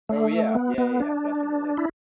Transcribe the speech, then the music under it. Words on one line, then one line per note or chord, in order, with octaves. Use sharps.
Oh, yeah. Yeah, yeah, yeah, definitely.
A3
B3
B3
D4
E4